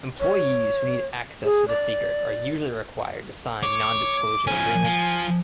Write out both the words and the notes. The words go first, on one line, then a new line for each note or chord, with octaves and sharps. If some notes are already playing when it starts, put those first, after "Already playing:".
Employees who need access to the secret are usually required to sign non-disclosure agreements.
C#5
G#4
D5
C#5 D6
F3 C#4 G#5
F3